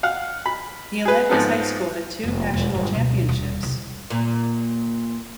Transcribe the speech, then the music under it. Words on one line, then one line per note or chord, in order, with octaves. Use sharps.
He led his high school to two National Championships.
F5 F#5
B5
G#4 B4
G#2 F3 B3 F4 A4
F1 A#3
E1
G1 G#2
D2 B2
D#1
C2
A#2